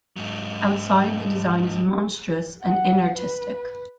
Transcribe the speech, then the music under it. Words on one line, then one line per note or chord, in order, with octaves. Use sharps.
Outside the design is monstrous and inartistic.
G#2 F#3
F#5
B4